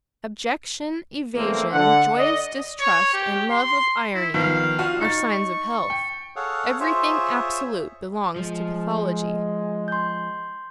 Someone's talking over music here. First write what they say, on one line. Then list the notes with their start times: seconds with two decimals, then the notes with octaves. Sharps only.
Objection, evasion, joyous distrust, and love of irony are signs of health; everything absolute belongs to pathology.
1.36 E2 A3 A#3 C4
1.72 D3 F#5
2.17 D5 D#5
2.80 C#5
3.13 G4
3.50 C6
4.15 E4
4.34 D#3 F3 B3 F5
4.79 F4 F#4 F5
5.01 D#4 C#6 A6
5.90 G5
6.36 G#4 A4 C#5 F5 F#5
6.80 F4 G#4 C5 C#5 E5
8.36 F3 G#3
9.88 C6 G6